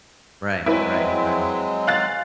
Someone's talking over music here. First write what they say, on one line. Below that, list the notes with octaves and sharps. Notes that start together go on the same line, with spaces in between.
Right, right, right.
F#3 G#3 C4 E4 B4
F5 F#6 A6